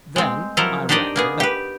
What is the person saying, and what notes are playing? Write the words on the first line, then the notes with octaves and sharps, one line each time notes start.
Then I rang the bell.
G#3 C4
F3 F#3 E4 A4 A#4 C5
D4 D#4 G4 C5 D5 D#5
A#3 B3 G#4
G4 B4